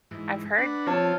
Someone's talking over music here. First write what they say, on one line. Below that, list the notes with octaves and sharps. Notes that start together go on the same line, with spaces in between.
I've heard
G#2 E3
D4 B4 F#5
F3 C4 F4 C#5 A5